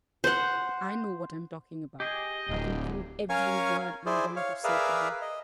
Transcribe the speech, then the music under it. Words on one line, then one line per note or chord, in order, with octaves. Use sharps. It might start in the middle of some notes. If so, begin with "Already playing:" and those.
But I know what I'm talking about--I can prove every word I'm going to say to you.
C5 F#5
G4 G#4 D#5 G#5
D1
C#4 A#4 C#5 F5 G#5 C#6
E4 G#4 C5 D5
C#5 F5
G#4 A#4 B4 D5 E5 F5
D#5